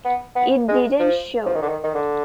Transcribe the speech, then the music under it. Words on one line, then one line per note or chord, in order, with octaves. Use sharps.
It didn't show.
B3
B3
G#3
F3
F3
D#3
D3
D#3
D#3
D3